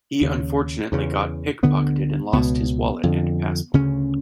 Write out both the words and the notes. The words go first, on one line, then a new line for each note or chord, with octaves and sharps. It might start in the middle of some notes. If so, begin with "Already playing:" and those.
He unfortunately got pick-pocketed and lost his wallet and passport.
D#2 C#3
E2 C#3
D2 D3 B3
C#2 B2 B3
F2 D3
D2 C#3 C#4